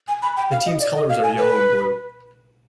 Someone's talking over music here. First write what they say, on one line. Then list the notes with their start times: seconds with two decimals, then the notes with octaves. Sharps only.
The team's colors are yellow and blue.
0.08 G#5
0.22 B5
0.37 G5
0.51 F5
0.66 D#5
0.80 D5
0.94 D#5
1.09 F5
1.23 G#5
1.38 B4